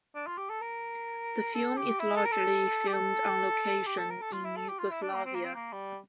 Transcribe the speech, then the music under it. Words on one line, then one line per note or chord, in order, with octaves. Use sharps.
The film is largely filmed on location in Yugoslavia.
D4
F4
G4
A4
A#4
A4
G4
E4
A4
A#4
A4
G4
A4
G4
A4
A#4
A4
F4
E4
A4
G4
F4
E4
D4
A#3
C4
A#3
C4
A#3
G3